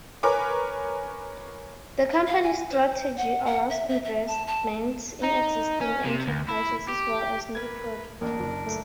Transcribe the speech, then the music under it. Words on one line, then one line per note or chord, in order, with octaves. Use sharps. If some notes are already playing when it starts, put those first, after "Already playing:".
The company's strategy allows investments in existing enterprises as well as new projects.
A#4 B4 C#5 G#5 D6
F5
G#5
C5
F#5
F#5
E5
E5
E5
A5
A5
D#4
C#4
C3
D2
E4
G4
A#4 B4 G#6
A1 A#3 D4 A#4
F#1
A3